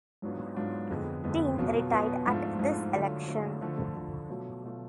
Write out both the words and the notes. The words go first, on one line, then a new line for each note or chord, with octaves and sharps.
Dean retired at this election.
G#2 F#3 B3 D4 F4
G#2 F#3 B3 D4 F4
F2 D3 G#3 B3
F2 D3 G#3 B3
B2 F#3 B3 F4
B2 F#3 B3 F4
G#2 F3 A3 D4 F4
G#2 F3 A3 D4 F4
D3 F#3 A3 F4
D3 F#3 A3 F4
D3 F3 A3
D3 F3 A3
B2 F#3 A3 F4
B2 F#3 A3 F4